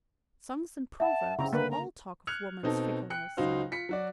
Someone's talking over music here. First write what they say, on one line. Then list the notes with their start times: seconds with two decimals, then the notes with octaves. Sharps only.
Songs and proverbs, all talk of woman's fickleness.
1.00 E5 F#5 A5
1.39 C#3 C4 A#5
1.53 D3 A#3 B4
1.71 A#5
2.27 F6 F#6 G#6 C#7 F7
2.63 B2 C4 D#4 A4
3.10 G5 F#6 C#7
3.37 C#2 F#3 D#4 F#4 C5 F5
3.71 F4 B6 C#7
3.89 F#3 F#4 D5